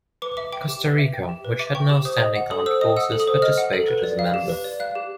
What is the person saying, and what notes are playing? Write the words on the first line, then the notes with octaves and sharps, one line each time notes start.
Costa Rica, which had no standing armed forces, participated as a member.
B4 D6
E5 D6
G5 D6
G4
B4
E5
G5
G4
B4
E5 D6
G5 C#6
G4 D6
C5 D#6
D#5
F#5
A4 D#6
C5 E6
D#5 D#6
F#5 E6
A4
D#6
C5
D#5 F6
F#5
A4
B4
D5
F5
G4
B4
D5
F5 F#6
G4